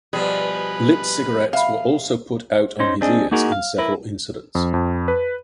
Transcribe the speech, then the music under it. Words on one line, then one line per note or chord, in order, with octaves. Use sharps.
Lit cigarettes were also put out on his ears in several incidents.
B2 F3 G3 G#4 B4
E5 F5 B5
C#4 D#4 C5
C4 D4 G#4 D#5
A#3 D#4 F#4 G#4 A#4
F5
E4 A#4 B4
F2
F2
B4